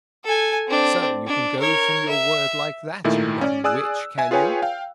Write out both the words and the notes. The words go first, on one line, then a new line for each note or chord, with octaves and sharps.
"So you can go from your word like that, you young witch, can you?"
A4 G#5
C4 D4
D4
A#4 C#5
E5
A#2 D#3 A3 E4
C#4 D5
G#4 D5 G#5 D#6 E6 F#6
E5 G#5
F4 G#4 B4 C#5 G5 G#5
F5 G5